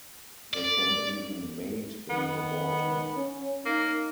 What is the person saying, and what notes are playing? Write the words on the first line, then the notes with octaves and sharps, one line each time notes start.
They can even mate in the water.
D5
D#3 B3
C#4
A#3 D#4